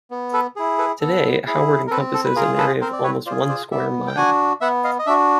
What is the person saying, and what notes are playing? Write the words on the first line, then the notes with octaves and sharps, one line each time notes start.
Today, Howard encompasses an area of almost one square mile.
B3
A4 B4
E4 G#4
A4 B4
B3 A4
E4 G#4
A#4
C4 A4 B4
A4
B4
F4 G#4 A#4
A4 B4
C4 A#4 C5
D5
B4 C#5
F4 G#4 C5 D5
C5 D5
B3 D5 E5
G5
D4 F#4 F#5 G#5
B3 E5 F#5
D#5 F5
D#5
D4 F#4 D5 E5